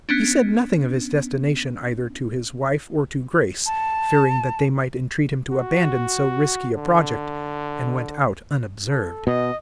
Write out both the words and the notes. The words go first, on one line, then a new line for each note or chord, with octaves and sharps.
He said nothing of his destination either to his wife or to Grace, fearing that they might entreat him to abandon so risky a project, and went out unobserved.
B3 C#4 D4
A5
F#4
D3
A4
B2 D#5